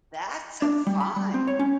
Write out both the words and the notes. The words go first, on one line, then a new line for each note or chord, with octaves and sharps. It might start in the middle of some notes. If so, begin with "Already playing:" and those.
That's a fine.
D4
G3
B5
G3
C4
C#5
C#4